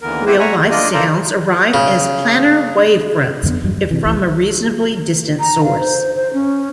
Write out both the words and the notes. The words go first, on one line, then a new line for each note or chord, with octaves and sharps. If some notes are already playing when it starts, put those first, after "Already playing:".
Real-life sounds arrive as planar wavefronts, if from a reasonably distant source.
D#2 D3 E3 B3 A#4
B3 C4 E4 G4 B4 C5
C#5 E5 F#5 G#5 A#5 C#6
G2
G#3 A#3 D4 F4 D5 D#5
F4 A4 A#4 C5 D5 A#5
C#3
F2 D3 A3 B3
E2 G2 F#3
G2
C3 E3
F1 C2 E3
A#5
F5
C5
C5
C#4